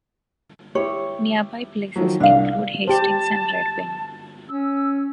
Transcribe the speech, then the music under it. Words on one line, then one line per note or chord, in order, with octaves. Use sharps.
Nearby places include Hastings and Red Wing.
E4 G4 C#5
D#3 F3 F#3
C2 D4 F5
G4 C5 A5
C#4 E6